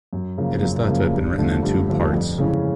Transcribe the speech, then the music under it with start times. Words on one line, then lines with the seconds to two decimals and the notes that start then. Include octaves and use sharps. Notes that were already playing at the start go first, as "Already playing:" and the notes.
It is thought to have been written in two parts.
0.13 F#2
0.38 C#3 F3 A#3
0.63 F#2
0.87 C#3 F3 A#3
1.13 G2
1.38 D3 F3 A3
1.63 G2
1.89 D3 F3 A3
2.13 F2
2.38 C#3 E3 G#3 C#4